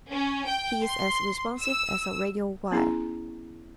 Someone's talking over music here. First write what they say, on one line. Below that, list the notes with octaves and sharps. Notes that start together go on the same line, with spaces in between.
He is as responsive as a radio wire.
C#4
G5
C6
E6
B3 C#4 E4 G#4 A#5